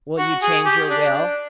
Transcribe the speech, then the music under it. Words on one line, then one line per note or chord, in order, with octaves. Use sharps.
"Will you change your will?"
F#4
G#4
G4
D4
D4